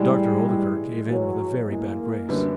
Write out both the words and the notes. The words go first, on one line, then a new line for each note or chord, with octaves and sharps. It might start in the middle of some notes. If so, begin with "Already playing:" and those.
Dr. Oldacre gave in with a very bad grace.
Already playing: A2 E3 G3 G#3
A2 E3 G#3
A2 E3 F#3 G#3
A2 E3 G#3 A#3
F#2 D3 G3 B3